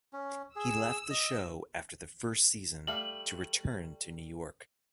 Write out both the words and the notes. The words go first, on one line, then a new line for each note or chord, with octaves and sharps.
He left the show after the first season to return to New York.
C#4
G#4 E6
D#5
G3 A3 F5 F#7